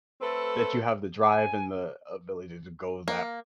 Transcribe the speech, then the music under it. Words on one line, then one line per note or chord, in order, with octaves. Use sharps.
that you have the drive and the ability to go that
A3 C4 A4 B4
G#5
A#3